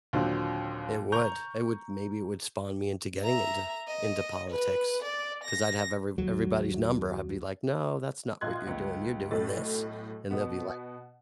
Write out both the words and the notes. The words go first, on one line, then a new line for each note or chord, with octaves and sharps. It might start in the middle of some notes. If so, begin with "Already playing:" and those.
It would, it would maybe it would spawn me into getting into into politics, 'cause I'd have every everybody's number, I'd be like, "No, that's not what you're doing, you're doing this." And they'll be like,
D#2 A#2 D3 F#3 C4 D4
A#5 C#6 G6 F7
E5 A#5
D#5
B4
D5
A#6
D#2 F#3
A#1 F4 D#5 C6 F#6 G#6
C#2
B1 A2 A3 A6
B2 B3